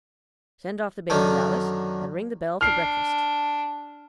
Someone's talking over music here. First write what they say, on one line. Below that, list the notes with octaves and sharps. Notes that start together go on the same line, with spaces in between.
"Send off the babies, Alice, and ring the bell for breakfast."
F#2 D3 D#3
D4 F6 C7